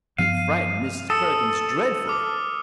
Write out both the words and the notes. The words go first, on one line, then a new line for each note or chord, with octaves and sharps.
It frightened Mrs. Perkins dreadfully.
G2 F3 B3 F5 D#7
A4 D#6 E6 C#7
D6 F6